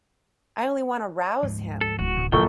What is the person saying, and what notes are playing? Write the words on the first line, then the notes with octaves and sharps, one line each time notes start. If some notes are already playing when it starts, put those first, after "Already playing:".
I only want to rouse him.
D2 G#2 F3
A4
D1 C#4 F#4
D2 A2 C3
A#1 D3 F#3 A4 G5 C#6